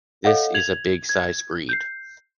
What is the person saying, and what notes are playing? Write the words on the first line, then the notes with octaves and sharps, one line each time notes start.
This is a big size breed.
A4 C#5 D#5 F5 F#5
G#6 F7 F#7
G#6
G6 C7